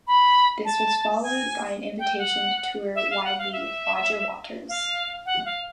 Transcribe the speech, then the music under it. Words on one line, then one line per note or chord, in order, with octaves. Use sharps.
This was followed by an invitation to tour widely with Roger Waters.
B5
A5
G#5
G5
F#5
E5
F5
F#5
F5
E5
F5
F#5
F5